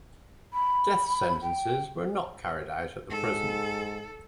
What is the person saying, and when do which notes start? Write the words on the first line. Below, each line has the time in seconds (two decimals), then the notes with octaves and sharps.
Death sentences were not carried out at the prison.
0.53 B5
1.42 G5
3.10 G#2 A4